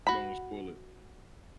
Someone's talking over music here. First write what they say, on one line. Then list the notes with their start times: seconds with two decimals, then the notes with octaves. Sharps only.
Don't wanna spoil it.
0.07 F#4 B5